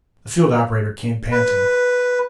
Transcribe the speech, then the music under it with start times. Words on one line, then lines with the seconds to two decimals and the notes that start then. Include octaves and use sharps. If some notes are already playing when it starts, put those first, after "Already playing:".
The field operator came panting.
1.32 B4